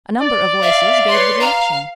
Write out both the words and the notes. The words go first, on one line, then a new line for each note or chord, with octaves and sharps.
A number of voices gave the direction.
D5
E5 F5
B4 C#5 C6
F5 A#5